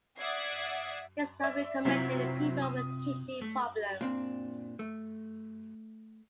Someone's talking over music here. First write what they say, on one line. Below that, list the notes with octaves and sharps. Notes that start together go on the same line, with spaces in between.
It is not recommended in people with kidney problems.
D5 E5 F#5 D#6 G#6 C7
D5 E5
C3 F#3 C4 E4 F4 E5
D#6
A3
A#2 C4 D4
A3